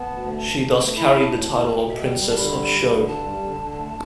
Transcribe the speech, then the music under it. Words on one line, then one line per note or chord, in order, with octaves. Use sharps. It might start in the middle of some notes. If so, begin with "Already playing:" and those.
She thus carried the title of Princess of Shou.
Already playing: B3 A5
D2
A3
G2
G2
A3
E4 B5
E4 B5
A5
A2
A5
A2
B2 A5
G5
B2 E5
G3 G5
G3
A5
D3 B5
G3
D2
D3
G2 A5
G3
D3
D3
A3